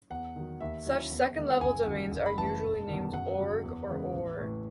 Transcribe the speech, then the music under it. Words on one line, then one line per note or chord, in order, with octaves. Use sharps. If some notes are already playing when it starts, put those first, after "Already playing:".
Such second-level domains are usually named "org" or "or".
E2 F#5
D#3 F#3
D#2 E5
D#3 F#3 C#4 E4
E2
D#3 G#3
F#5
F#1 G#5
F#2 D#3
F#1
B5
F#2 E3 A3 A5
E1
E2 D#3
F#2 F#5
C#3 F#3
E2
C#3 E3 G#3 B3
A1
A2 E3